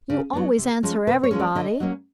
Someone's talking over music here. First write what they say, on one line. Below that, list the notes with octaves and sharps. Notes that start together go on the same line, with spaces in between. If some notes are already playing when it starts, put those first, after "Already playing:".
You always answer every body.
C#3
F#3 B3 D4
C3
F3 G#3 C#4
C3 B4
C#5
F3 G#3 C#4
D5
D3 D#5
F#3 A#3 C#4